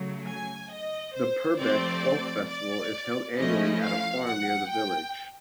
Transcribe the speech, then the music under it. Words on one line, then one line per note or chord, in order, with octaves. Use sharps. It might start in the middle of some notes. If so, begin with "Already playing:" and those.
The Purbeck Folk Festival is held annually at a farm near the village.
Already playing: C#3 F#3 A3
G#5
D#5
C5
C3 F3 A3 C4 D5
D5
F3 A3 C#4 E4 D#5
F5
F#5
G5